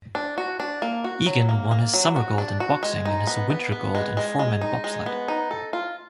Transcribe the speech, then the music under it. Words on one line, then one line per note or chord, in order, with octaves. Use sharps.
Eagan won his summer gold in boxing and his winter gold in four-man bobsled.
D4
F#4
D4
A#3
F#4
F#3
A#3
A#3
F#3
F#4
D4
F#4
G#3
D#4
B3
B3
B3
G#3
G#3
G#3
D#4
G#3
B3
D#4
A4
F4